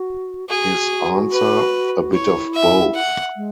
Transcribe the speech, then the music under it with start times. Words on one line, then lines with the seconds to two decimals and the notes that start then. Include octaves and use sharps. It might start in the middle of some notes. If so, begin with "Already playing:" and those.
His answer: "a bit of both".
Already playing: F#4
0.49 F#4 G#4
1.32 B4
2.13 E4 C#5
2.54 E5
2.95 F#5
3.36 G#3